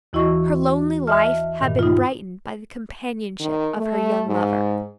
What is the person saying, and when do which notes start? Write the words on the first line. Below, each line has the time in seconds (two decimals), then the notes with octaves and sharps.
Her lonely life had been brightened by the companionship of her young lover.
0.13 D#2 E3 E4 F#4 D#5 C#6
1.07 D#5 E5 A5 F6
1.60 G2 A#2 D#3
1.79 D#4 F4
3.40 D#3
3.77 A3
4.27 G#2